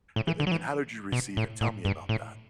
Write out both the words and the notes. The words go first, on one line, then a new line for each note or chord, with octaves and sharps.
The and and how did you receive it? Tell me about that.
A2
E3
D3
F#3
E3
B2
A2
A2
G2
A2